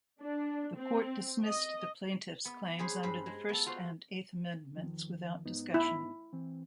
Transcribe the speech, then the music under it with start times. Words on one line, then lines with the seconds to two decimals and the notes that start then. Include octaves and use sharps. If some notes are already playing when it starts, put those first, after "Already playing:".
The Court dismissed the plaintiffs' claims under the First and Eighth Amendments without discussion.
0.21 D4
0.76 C4
1.45 D#5
2.45 B3
2.79 C#4 G#4 B4 C5
3.03 G2 B4 C5
3.26 G#3
3.49 B3 A4
3.66 F4 F#4 C5
4.76 E2 D#3 F3
5.46 G#2 B3 D#4
5.74 E4
6.33 E3 C4